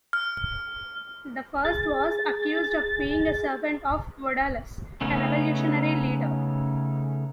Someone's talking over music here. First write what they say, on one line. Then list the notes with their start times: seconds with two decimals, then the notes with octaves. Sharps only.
The first was accused of being a servant of Vodalus, a revolutionary leader.
0.13 F6
1.65 G#4 A6
5.01 C#3 A3 B3 C#4 D#4